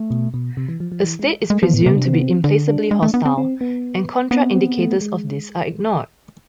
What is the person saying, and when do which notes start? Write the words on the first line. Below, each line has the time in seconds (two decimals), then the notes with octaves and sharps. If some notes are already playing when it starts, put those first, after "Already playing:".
A state is presumed to be implacably hostile, and contra-indicators of this are ignored.
Already playing: A3
0.10 B2
0.34 B2
0.57 C3
0.69 E3
0.80 F3
0.92 F3
1.04 E3
1.19 G#3
1.50 G#3 A3
1.62 F3 B3
1.74 A2 B3
1.82 A3
1.85 C3 B3
1.92 D3
1.97 C3 D4
2.05 C4
2.13 B3
2.21 C4
2.44 D3 D4
2.68 D4
2.91 G#3
3.03 A3
3.14 B3
3.25 C4
3.38 C4
3.61 B3
4.31 B3 C4
4.54 C4
4.78 A3
5.01 G#3